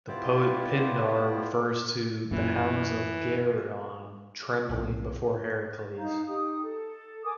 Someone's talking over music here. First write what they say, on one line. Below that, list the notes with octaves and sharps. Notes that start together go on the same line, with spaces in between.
The poet Pindar refers to the "hounds of Geryon" trembling before Heracles.
B3 E4 F4 G4 C5 D5
F#2 A#2 E3
B1 F2 A#2 C#3
D#4 F5 A#5 G6
D#4 G4 D#6
A4
A#4 G#5 D6 D#6